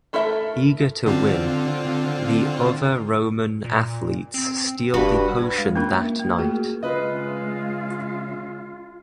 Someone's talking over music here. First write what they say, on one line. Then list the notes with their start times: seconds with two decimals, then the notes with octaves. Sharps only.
Eager to win, the other Roman athletes steal the potion that night.
0.13 A3 E4 A4 A#4 E5
1.06 D3 C4 F4
3.64 A#2
4.34 C4
4.94 F1 G2 F#4 B4
5.39 B4 B5
5.58 G#3
5.76 A#3 C#4 D4 F4 A#4
6.01 E5
6.20 A#3
6.38 A3 F4 F#4 G#4 A#4
6.83 C#3 G#3 C#4 F4 B4 D#5 E5